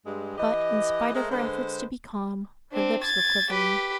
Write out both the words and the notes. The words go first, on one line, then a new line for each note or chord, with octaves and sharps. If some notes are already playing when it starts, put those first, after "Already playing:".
But, in spite of her efforts to be calm, her lips were quivering.
G2 G#3
E3 G4 D#5
G#3 A3 A#4 C5 E5
D3 G#3 B4 C5
C4 D4
G#6 A6
G4 B4